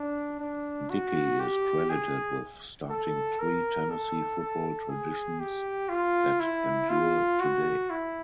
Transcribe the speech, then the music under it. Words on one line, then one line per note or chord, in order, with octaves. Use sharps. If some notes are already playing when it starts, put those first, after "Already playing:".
Dickey is credited with starting three Tennessee football traditions that endure today.
Already playing: D4
D4
F#4
G4
G#4
A4
A#4
A4
A4
G#4
G4
F4
E4
F4
F#4
E4